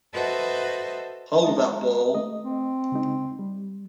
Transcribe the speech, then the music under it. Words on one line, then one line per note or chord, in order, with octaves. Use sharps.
Hold That Ball!
F#4 A4 B4 C5 D#5 E5
G#3 D#5 A5 A#5
A3 D#5
C4
C#3 G#3 D#4
G3